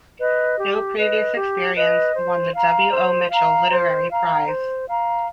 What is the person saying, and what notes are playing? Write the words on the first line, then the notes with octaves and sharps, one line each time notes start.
"No Previous Experience" won the W. O. Mitchell Literary Prize.
B4 D#5
G4
B4 D#5
G4
B4 D#5
C5
F5 A#5
C5
F5 A#5
C5
F5 A#5
C5
F5 A#5